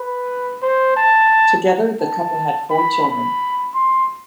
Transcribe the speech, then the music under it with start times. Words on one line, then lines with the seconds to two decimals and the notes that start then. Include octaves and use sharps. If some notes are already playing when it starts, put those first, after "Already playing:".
Together, the couple had four children.
Already playing: B4
0.62 C5
0.97 A5
2.01 A5
2.70 B5
3.05 B5
3.74 C6